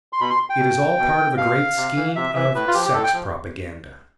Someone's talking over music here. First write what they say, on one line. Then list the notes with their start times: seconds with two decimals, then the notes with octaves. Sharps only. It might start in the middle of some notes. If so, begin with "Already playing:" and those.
It is all part of a great scheme of sex propaganda.
0.13 C6
0.20 B2 B5
0.30 C6
0.50 G5
0.59 B2
0.99 B2
1.37 B2 F5
1.77 C3
1.96 E3
2.16 C3 E5
2.35 E3 E5
2.55 A2 B4
2.68 F4
2.74 F3 G4
2.85 G4
2.94 A2 A4
3.04 G5
3.13 F3